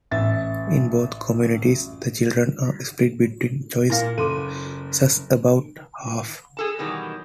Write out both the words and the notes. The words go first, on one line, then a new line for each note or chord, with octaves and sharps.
In both communities, the children are split between choices about half.
A1 E5 A6
A#2 E4 F5 A#6
F#1 A4 C6 D6 D#7
G#4 A4 A5
B2 D#3 E3 F#3 G3